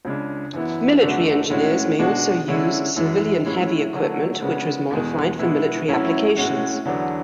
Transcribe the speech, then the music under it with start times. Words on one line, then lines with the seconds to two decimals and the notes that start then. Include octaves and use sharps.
Military engineers may also use civilian heavy equipment which was modified for military applications.
0.05 C#2 C#3 G#3 D4
0.53 F#2 E3 B3 E4
1.02 F#2 D3 A3 D4 F#4
1.50 A2 G#3 C#4 F#4
1.99 B2 G#3 D4 F#4
2.48 D3 G#3 C#4 E4
2.96 F#2 E3 G#3
3.45 A2 G#3 C#4 E4
3.93 D3 F#3 A3
4.42 C#3 G#3 B3 D4 F#4
4.91 E2 B2 G#3
5.39 B2 G#3 B3 E4
5.88 A2 F#3 C#4 E4
6.37 A2 G#3 C#4 F#4
6.85 E2 D3 F#3 B3 D4